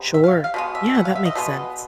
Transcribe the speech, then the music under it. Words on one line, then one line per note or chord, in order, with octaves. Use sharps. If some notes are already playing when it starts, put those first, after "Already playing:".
Sure. Yeah, that makes sense.
Already playing: C3 G#3 B3
E5
F5
F5
B2 G#3 B3
E5
F#5
F5
E5
D#5
B2 G#3 B3